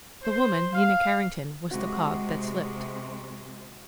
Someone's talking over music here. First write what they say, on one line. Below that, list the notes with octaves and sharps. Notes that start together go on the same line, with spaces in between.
The woman, Nina Carrington, was the cog that slipped.
C5
F5
C3 G#3 F#4